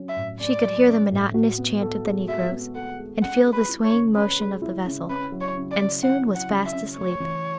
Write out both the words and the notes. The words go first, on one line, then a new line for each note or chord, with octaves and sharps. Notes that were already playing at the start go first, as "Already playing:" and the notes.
She could hear the monotonous chant of the negroes, and feel the swaying motion of the vessel, and soon was fast asleep.
Already playing: F#3 C#4
E5
A2
A3 D5
F#3
C#4
A2
F#4
B3
A4
G#3
F#4 E5
B3
A4 F#5
G#3
C#4 F#5
G#3
B4
E4
C#5
C#3
C#4 B4
G#3
E4
C#3
C#4 B4
F#3
C#5
C#3
D5
C#3
C#4 F#5
F#3
F#5
C#3
E5
C#3
A3 C#5
E3